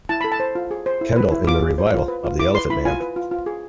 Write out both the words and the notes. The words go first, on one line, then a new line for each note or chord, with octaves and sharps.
Kendal in the revival of "The Elephant Man".
E4 A5
A4 B5
A5
C5
F4
G#4
C5
E4
B4
E4
F4 D6
G#4
C5
F4
B4
F4
E4 D6
B4 C6
E4 B5
F4 G#5
B4
F4
F4
G#4